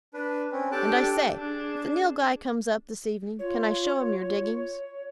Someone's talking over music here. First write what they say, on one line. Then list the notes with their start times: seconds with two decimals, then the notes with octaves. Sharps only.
And, I say, if the Nilghai comes up this evening can I show him your diggings?'
0.14 D4 B4
0.52 C4 C#4
0.72 D4 G4 A4 G5 A5 F#6
1.36 D4 G#4
3.39 F4 C#5